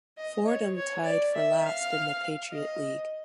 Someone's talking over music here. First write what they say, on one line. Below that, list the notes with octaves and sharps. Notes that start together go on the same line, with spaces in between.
Fordham tied for last in the Patriot League.
D#5
C#5
C#5
D5
E5
F5
D#5